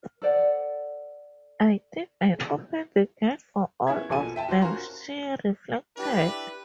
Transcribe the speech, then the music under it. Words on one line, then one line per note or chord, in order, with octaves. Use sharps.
"I think I opened the gate for all of them," she reflected.
A4 C5 D5 F#5
B3 C#4 E4 G#4 E5 G#6
A#1 B2 F3 A4 G#5 D#7
E5 G5 A5
F#4 G4 C5 F5
C#4 F#4 A#4 G#5 A#5 C6
D4 E4 G4 B4